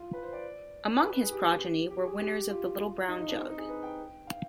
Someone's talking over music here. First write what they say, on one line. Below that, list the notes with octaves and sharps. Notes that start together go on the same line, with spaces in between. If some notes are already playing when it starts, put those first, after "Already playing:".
Among his progeny were winners of the Little Brown Jug.
Already playing: F4
B4
C5
D5
B4
B4
G#4
G4
G4
G#4
G4
F4
D#4
D#4
D4
C4
D#4
G#4
B4
G5
F5